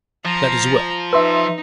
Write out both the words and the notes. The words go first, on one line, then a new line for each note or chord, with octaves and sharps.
"That is well."
F3 A#5
D#4 B4 E5 C6 E6